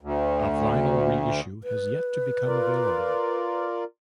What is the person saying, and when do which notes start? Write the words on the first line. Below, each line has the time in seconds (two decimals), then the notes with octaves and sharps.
A vinyl re-issue has yet to become available.
0.01 D2
1.63 B4
2.47 F4 A#4 D5